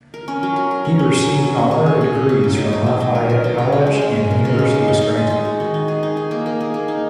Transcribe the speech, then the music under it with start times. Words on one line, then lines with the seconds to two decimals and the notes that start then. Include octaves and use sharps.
He has received honorary degrees from Lafayette College and the University of Scranton.
0.14 A#4
0.28 C#4
0.43 F#3
0.56 A#4
0.71 A#4
0.85 C#4
0.99 C#4
1.14 F#3
1.28 F#3
1.44 C#4
1.58 F#3
1.71 C#3
1.86 G#4
2.01 C#3
2.15 C#3
2.29 C#3
2.44 F#3
2.58 D#4
2.73 F#3
2.86 F#3
3.00 F#3
3.15 A#4
3.30 A#4
3.44 F#3
3.58 C#3
3.72 C#3
3.86 G#3
4.01 G#3
4.16 C#3
4.31 A#4
4.45 C#3
4.59 G#3
4.74 D#4
4.88 D#4
5.01 D#4
5.17 G#3
5.30 G#3
5.45 F#4
5.60 D#3
5.74 D#4
5.88 G#4
6.03 D#4
6.17 G#4
6.31 A#3
6.46 A#3
6.61 G#4
6.74 A#3
6.88 D#4